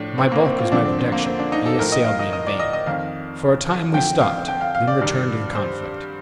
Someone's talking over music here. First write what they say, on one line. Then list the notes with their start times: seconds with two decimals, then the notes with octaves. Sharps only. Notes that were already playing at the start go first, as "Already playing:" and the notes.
My bulk was my protection, and he assailed me in vain. For a time we stopped, then returned to the conflict.
Already playing: A2 F3 D4
0.18 C4
0.32 A#3
0.45 C4
0.58 F4
0.72 F2 D3 F3 D4
0.85 C4
0.99 C4
1.12 A#3
1.25 C4
1.39 D4
1.52 D#4
1.66 A4
1.79 A2 F3 A#4
1.92 D#5
2.06 F5
2.19 D#5
2.33 D#5
2.47 D5
2.60 D#5
2.73 D#5
2.86 F2 D#3 F5
3.94 F2 D3 F3 G5
4.21 F5
4.48 G5
4.61 F5
4.75 F5
4.88 D5
5.01 G2 D#3
5.55 C5